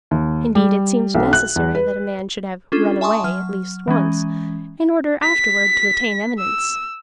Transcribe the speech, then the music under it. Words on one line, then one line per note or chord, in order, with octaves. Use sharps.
Indeed, it seems necessary that a man should have "run away" at least once, in order afterward to attain eminence.
D#2
G3
B1
F#6
E2
B4
C#4 D4 F4 A4
E5 G#5 A5 C6 C#6 D#6
F#3 F6
E3 G#3 C#4
B6
E6